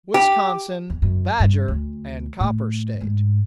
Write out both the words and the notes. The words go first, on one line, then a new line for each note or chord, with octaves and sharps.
Wisconsin, Badger and Copper State.
G4
E2
F#2
G2
D2
A2
G#2